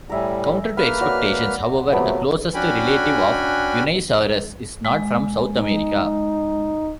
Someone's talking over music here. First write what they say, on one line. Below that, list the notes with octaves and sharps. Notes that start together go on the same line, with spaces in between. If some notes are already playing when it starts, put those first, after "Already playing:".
Counter to expectations, however, the closest relative of "Unaysaurus" is not from South America.
A2 G3 A#4 E5 G#5
A#3 B4 B5 F6
F#4 C#5 D5
C3 F3 F#3 A3 B3 A4
C#4 D4 F#4 G5 G#5 B5
G#3
D#4